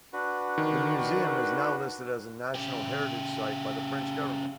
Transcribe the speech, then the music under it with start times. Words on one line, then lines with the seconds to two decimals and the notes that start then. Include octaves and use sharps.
The museum is now listed as a National Heritage site by the French Government.
0.13 D4 F#4 B4
0.58 D#3
2.55 C#3 G4